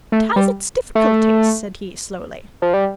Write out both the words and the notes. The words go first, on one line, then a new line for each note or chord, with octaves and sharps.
"It has its difficulties," said he slowly.
A3
G3
A3
F3
G3